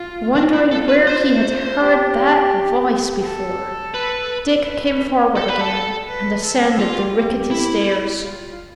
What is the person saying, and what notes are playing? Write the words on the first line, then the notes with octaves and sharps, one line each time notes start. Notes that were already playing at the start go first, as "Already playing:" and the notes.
Wondering where he had heard that voice before, Dick came forward again and ascended the rickety stairs.
Already playing: F4
D4 F4
E4
A4
B4
C5
G4
A4
B4
B4
A4
B4
A4
B4
A4
F4 G4
E4
F4